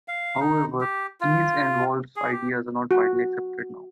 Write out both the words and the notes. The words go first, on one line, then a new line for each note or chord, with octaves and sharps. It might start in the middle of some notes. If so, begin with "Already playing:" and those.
However, Keys and Wohletz' ideas are not widely accepted now.
F5
D#4
G4
F4
G#4
G4
F#4